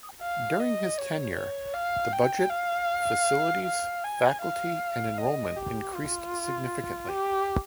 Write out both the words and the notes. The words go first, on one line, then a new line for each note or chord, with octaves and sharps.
During his tenure, the budget, facilities, faculty, and enrollment increased significantly.
F5
D#5
C#5
C#5
F5
G5
F5
F5
G#5
F5
D#5
G4
F4
G4